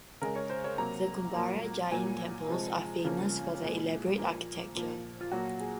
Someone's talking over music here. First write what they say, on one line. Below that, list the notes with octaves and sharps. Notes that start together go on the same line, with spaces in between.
The Kumbharia Jain temples are famous for their elaborate architecture.
C#3 G#3 A#4
C#5
C5
C#5
C3 F#3 A#3 A#5
A#2 F#3 A#3
A#2 F#3 A#3 G#5
C3 F3 G#3
C#3 F3 A#3
A#2 G#3
A#2 F3 A#3
A#2 F3 A#3
F4
A#2 F#3 A#3 F#4
G#4